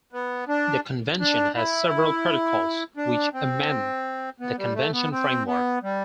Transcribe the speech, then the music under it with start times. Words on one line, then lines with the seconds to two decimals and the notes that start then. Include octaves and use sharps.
The Convention has several protocols, which amend the convention framework.
0.12 B3
0.48 D4
1.20 D4
1.55 E4
2.97 D4
3.34 C4
4.40 B3
4.58 G3
4.75 A3
4.93 B3
5.11 C4
5.47 B3
5.83 G3